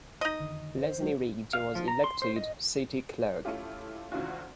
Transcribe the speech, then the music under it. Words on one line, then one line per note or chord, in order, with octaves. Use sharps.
Leslie Reed was elected City Clerk.
D#4 D#5
F2 D3 D#3
C5
F#3 G#3 F#4
F5
F3
A#5
C6
C5
D#5
A3 C#4 E4 F4 G4
G#1 D2 C#3 E3 F4 F#4